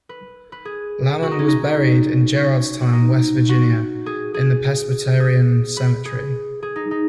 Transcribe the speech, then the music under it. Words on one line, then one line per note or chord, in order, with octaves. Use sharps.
Lamon was buried in Gerrardstown, West Virginia, in the Presbyterian Cemetery.
B4
B4
G#4
F#4
D#4
C#4
D#4
C#4
F#4
D#4
F#4
G#4
G#4
G#4
B4
G#4
G#4
D#4
D#4